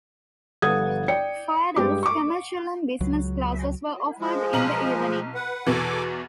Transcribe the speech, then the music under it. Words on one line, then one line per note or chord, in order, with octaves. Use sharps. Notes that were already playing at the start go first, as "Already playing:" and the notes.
For adults, commercial and business classes were offered in the evenings.
G1 G2 A4 F#5 D#6 G#6
D5 G5 C#7
G2 G#3 G4 D6
C#6 D6
C#2 F#3
F3 G#3
B1 A#5 F#7
B4 F#5
E2 B2 E3 A4 G#5 D6